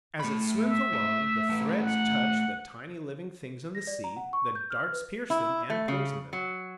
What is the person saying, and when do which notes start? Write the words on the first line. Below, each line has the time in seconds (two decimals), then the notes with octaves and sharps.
As it swims along, the threads touch the tiny living things in the sea, the darts pierce them and poison them.
0.20 A3 B5
0.62 E5
0.93 A3
1.50 A3 B4
1.81 F#5
3.75 A#6
3.87 D5
4.04 A#5
4.17 F#5
4.33 C#6
4.55 G6
4.71 F6
4.93 B4
5.30 E4
5.70 A3
5.88 C#3
6.33 F#3